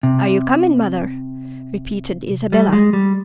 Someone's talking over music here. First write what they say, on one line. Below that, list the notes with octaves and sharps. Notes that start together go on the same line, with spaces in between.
"Are you comin', mother?" repeated Isabella.
C3
G3
G#3
G3